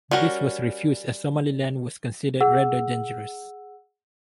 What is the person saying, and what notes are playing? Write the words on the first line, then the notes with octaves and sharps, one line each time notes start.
This was refused as Somaliland was considered rather dangerous.
G3 C#4 F#4 A#4
G#4 F#5 E6